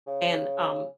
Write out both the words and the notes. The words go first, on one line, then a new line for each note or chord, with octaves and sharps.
and, um
C#3